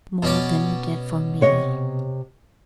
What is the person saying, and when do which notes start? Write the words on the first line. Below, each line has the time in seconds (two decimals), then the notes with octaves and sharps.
"More than you did for me?"
0.22 B2 C#4 D5
1.41 C3 C#5 D#5